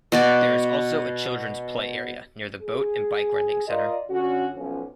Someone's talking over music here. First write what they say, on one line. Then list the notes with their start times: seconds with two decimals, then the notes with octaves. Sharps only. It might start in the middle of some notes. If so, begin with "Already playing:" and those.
There is also a children's play area near the boat and bike renting center.
0.12 B2 F#4 D5
2.61 G#4
3.68 F4 A#4 D5 D#5
4.10 D3 C#4 F#4
4.55 B1 F3 C#4